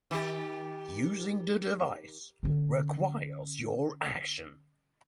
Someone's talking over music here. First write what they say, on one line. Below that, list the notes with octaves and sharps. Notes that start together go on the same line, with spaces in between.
Using the device requires your action.
D#3 G4
D3 C#4